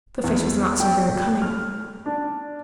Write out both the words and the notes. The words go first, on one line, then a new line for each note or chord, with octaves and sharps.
The face was not so very cunning.
E2
G5
F6
D4